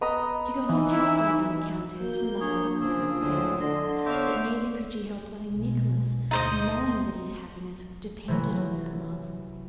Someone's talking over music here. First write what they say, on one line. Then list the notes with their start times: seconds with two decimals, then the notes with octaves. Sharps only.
She could not help loving the countess and the whole Rostov family, but neither could she help loving Nicholas and knowing that his happiness depended on that love.
0.01 B3 D#5 A#5
0.69 E3 D#4
0.90 E4
2.00 A#3 F#4 G6
2.40 D4 G#4 C#5
2.81 C#3 F3 A#3 G#4 E6
3.20 D2 A2 D3 C5
3.61 D3 D#5 C6
4.06 B3 C5 C#5 E5 F5 D6
5.52 B1 G#3
6.31 D2 D#4 C5 D#5
8.28 C3 E3 F#3